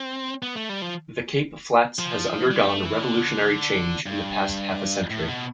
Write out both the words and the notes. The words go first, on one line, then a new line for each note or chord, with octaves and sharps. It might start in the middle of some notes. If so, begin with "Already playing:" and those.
The Cape Flats has undergone revolutionary change in the past half a century.
Already playing: C4
B3
A3
G3
F3
F3
G3
A3
E3
D3
G2
A2
B2